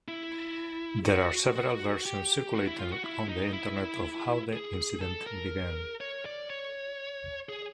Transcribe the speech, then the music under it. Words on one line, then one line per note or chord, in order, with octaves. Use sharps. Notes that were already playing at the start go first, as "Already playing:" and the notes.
There are several versions circulating on the internet of how the incident began.
E4
F#4
F#4
G4
F#4
E4
F4
F#4
E4
D#4
E4
G#4
A4
A#4
C#5
D5
C#5
G#4